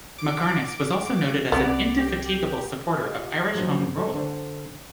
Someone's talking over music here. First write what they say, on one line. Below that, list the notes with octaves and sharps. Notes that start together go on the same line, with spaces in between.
Mackarness was also noted as an 'indefatigable' supporter of Irish Home Rule.
D6
C2 B3 C4 D5
G4
F4 G4 D#5
G2 A#2 F3 F#3
A4
D3 D4 C5